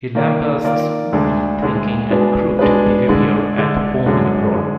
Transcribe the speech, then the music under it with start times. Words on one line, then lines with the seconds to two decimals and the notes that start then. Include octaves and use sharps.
He lambasts woolly thinking and crooked behaviour at home and abroad.
0.15 D#3 A#3 F4 A#4 D5
0.64 D#3 A#3 F4 A#4 D5
1.13 D2 D3 G#3 D4
1.62 D2 D3 G#3 D4
2.11 B2 G#3 D4 G#4 B4
2.59 B2 G#3 D4 G#4 B4
3.08 D3 G#3 D4
3.57 D3 G#3 D4
4.06 F#2 D3 G#3
4.55 D3 G#3